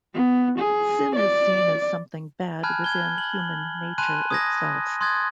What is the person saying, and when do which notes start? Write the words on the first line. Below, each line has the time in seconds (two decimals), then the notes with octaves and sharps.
Sin is seen as something bad within human nature itself.
0.14 B3
0.58 G#4
1.15 D5
2.63 G#5 A5 B5 F6 F#6 G#6
2.84 G#6 G7
3.18 F#7
3.98 G#5 A5 B5 C6 F#6 D#7
4.30 D#6 G#6 A#6
5.01 C6 D#6 F#6 G#6 A6